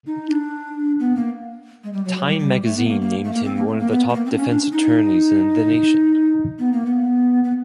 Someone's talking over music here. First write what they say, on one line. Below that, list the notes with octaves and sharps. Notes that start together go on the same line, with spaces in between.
Time magazine named him one of the top defense attorneys in the nation.
D#4
D4
B3
A#3
G#3
G3
F#3
F#3
G3
G3
A3
B3
A#3
A#3
A3
A#3
C4
A#3
A3
A#3
B3
A3
A#3
C4
D4
C#4
D4
D#4
B3
A#3
B3
B3